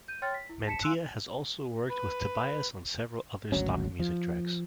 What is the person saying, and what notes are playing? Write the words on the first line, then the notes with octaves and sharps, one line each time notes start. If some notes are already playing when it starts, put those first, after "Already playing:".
Mantia has also worked with Tobias on several other stock music tracks.
G6 D#7
C#5 G5 C6 F6 A6
B6
E4
A5 B6 C#7 E7
F5 G#5 C6 E6 F#6
B4
G#1 D2 F#3 C#4
F3